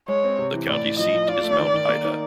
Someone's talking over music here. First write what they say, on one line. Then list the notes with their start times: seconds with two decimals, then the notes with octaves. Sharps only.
The county seat is Mount Ida.
0.08 G#3 C#5
0.24 C4
0.39 C3
0.54 E3
0.68 A2 D5
0.84 A2
0.99 F3 D#5
1.14 F3
1.28 F4 D5
1.44 A3
1.59 D#3
1.74 D#3
1.89 A#3
2.04 D#4